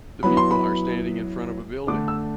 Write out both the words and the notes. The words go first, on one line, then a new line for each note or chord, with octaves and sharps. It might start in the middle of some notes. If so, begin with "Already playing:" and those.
The people are standing in front of a building.
F#3 B3 E4 B5
C6
B5
D3 A3 D4 D6
E6